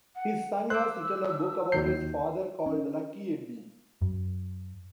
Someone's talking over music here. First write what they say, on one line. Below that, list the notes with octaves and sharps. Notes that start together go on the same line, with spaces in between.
His son has written a book about his father called "Lucky Eddie".
F#5
C5 D6 E6 F#6
D#2 D#3 G6 C7
C#4
F#2